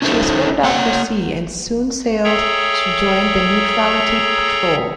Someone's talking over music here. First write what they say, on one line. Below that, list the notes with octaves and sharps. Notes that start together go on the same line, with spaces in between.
She was fitted out for sea and soon sailed to join the Neutrality Patrol.
C#4 D#4 E4 A4 C5
A#3 C#5 F#5
G#4 A4 C#5 E5 G5 A#5